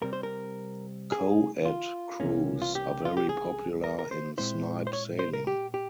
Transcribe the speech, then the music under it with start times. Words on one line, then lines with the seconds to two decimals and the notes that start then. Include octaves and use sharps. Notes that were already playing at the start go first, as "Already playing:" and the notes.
Co-ed crews are very popular in Snipe sailing.
0.02 C3 G3 C4 A#4
0.13 C5
0.23 A#4
1.12 G#4
1.65 F4
2.20 C2 C3 E3 A#3 C#4
2.62 F4
2.75 G4
3.05 F4
3.17 G4
3.29 G#4
3.84 A#4
3.99 A#4
4.11 C5
4.38 A#2 G#3 C4 E4 C5
4.87 C5
4.93 C#5
5.19 C5
5.33 A#4
5.47 G4
5.74 G4